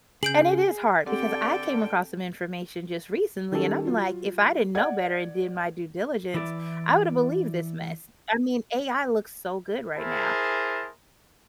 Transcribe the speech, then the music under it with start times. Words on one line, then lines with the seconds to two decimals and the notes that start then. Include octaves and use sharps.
and it is hard because I came across some information just recently, and I'm like, if I didn't know better and did my due diligence, I would have believed this mess. I mean, AI looks so good right now.
0.23 C#3 G#4 G6 D7 F#7
1.06 D3 C4 G4 A4 D5 F#5 G5
3.52 D#3 G3 C#4 G4 A4
3.87 F#3 F4
4.75 D5 F#5 G#6
6.34 E3 E4 D5
9.97 E4 G#4 A#4 C5 A5